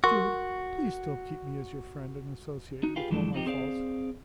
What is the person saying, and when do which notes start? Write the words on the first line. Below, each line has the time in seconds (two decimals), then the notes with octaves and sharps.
Jude, please still keep me as your friend and associate, with all my faults.
0.04 F#4 A#4 C6 C#6
2.83 D#4 F#4
2.96 F4 G4 G#4 B4 F5 G5
3.10 G2 E3 F3 G#3 A3 D4
3.33 F3 C4 D#4 G4
3.46 C4 G#4 C5 D5 F5